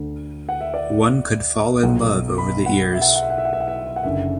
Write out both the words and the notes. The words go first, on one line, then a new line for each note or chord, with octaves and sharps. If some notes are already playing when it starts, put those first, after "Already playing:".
One could fall in love over the ears.
Already playing: D2 D3
F#5
E5
D5
B1 B2 F#5
B5
F#5
E5
F#5
E5
F#5
E5
F#5
E5
F#5
E5
F#5
E5
F#5
F#1 F#2 D3 E5